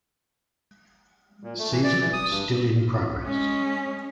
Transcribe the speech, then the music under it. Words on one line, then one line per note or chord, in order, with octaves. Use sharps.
Season still in progress.
A#2
A3
E3
D5
E3
D#6
G2
G#3 C#4